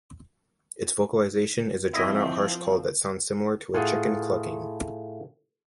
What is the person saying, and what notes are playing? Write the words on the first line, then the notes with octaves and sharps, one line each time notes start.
Its vocalization is a drawn-out harsh call that sounds similar to a chicken clucking.
F3 C4 E4 D#5
A2 F4 G#4 F#5